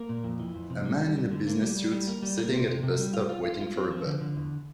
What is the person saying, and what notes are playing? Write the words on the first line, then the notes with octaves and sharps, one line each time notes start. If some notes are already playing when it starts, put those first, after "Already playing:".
A man in a business suit sitting at a bus stop waiting for a bus.
Already playing: A#3
A#2
F2
E3
F2
C3
G3
G3
D3
D3
A#3
G3
G3
G3
A#3
G3
A#3
C3
C3
C3
G3
F4
F4
F4
F4
C4
F3
D3
D3
E2